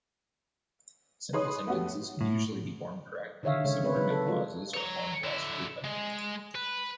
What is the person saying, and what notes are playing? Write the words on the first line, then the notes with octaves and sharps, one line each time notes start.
Simple sentences can usually be formed correctly, subordinate clauses are formed less frequently.
D#4 G#4 B4 C#5 C6 D#6
A3 B3 C#4 F#4 G4
A2
D3 D#3 C#5 E5 F5
C#3 G#3 C#5
C4 B4 C#5
C3 F#3 D#4 B4
A4
F3 G#3 F4 F#4 A#4
C#5 A#5
D3 E4
G#3
B4